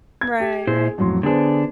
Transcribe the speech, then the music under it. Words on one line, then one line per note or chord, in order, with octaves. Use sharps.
Right, right.
G#6
G4
A#2 E4 G#4 C5
A1 F2 F#3 C6
D3 B3 D4 G#4 C5